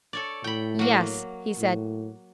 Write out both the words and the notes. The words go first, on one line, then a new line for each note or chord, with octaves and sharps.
"Yes," he said.
A4 C#5 D5
A2 G5 B5
F#3 A#3
A2